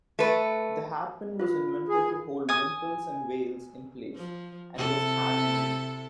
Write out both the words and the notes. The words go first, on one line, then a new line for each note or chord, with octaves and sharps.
The hatpin was invented to hold wimples and veils in place, and was handmade.
A3 B4
F4 B4
G#4
G#5 D#6
F3
C3 E4 A4